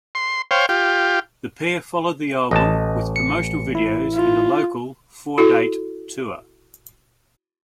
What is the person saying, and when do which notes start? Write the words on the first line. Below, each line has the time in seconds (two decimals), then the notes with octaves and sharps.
The pair followed the album with promotional videos and a local four-date tour.
0.15 C6
0.51 C5 C#5 F5 G5
0.69 F4 G4
2.51 A1 D#5 A5
3.16 C#7
3.75 E4
4.15 F4
5.38 E4 F#4 A4